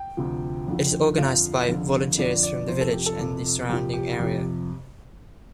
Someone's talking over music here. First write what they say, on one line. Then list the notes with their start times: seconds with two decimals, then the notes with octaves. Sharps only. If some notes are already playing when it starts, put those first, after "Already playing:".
It is organised by volunteers from the village and the surrounding area.
Already playing: G5
0.17 D2 C3 F3
0.68 F2 D3 F3
1.18 F2 D3 F3 F5
1.69 F2 D3 F3
2.18 F2 D3 F3 D5
2.43 D5
2.68 F2 C3 F3 C5
2.81 A4
2.93 G4
3.06 A4
3.19 F2 C3 F3
3.69 F2 C3 F3 G4
3.94 G4
4.12 F4
4.19 F2 C3 F3 G4